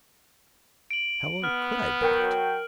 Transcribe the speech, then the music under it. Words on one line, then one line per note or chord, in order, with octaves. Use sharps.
How long could I bear it?
D7 F#7
B3 F6
F#3 A#4 G5